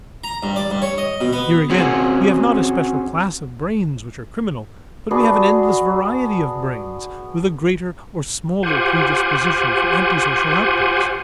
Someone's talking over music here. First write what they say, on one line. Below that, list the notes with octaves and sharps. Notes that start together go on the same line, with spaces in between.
Here again we have not a special class of brains which are criminal; but we have an endless variety of brains with a greater or smaller predisposition for antisocial outbreaks.
A#5
G2
D5
G2
C#5
D#5
B2
B3
C4 C#4 F#4 G#4
B3 D4 F#4 G#4
F4 G4 C5 F#5 G#5